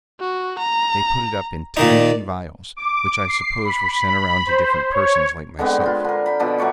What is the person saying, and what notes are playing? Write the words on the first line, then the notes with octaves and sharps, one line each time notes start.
They put it up in tiny vials which I suppose were sent around to different persons like myself.
F#4
A#5
A#2 D#3 D#4 D5
D6
C7
B5
C5
C#5
D3 G#3 B3 C4
F4 B4 C6
D3 A#4
G5 B5
B2 F3 D4 A4
F#3 A3 C#6 D6